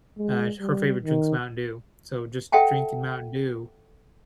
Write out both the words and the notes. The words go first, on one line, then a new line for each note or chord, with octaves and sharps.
uh, sh her favorite drink's Mountain Dew, so just drinking Mountain Dew
G#3
G3
D#3
A4 E5 F#5 G5 A5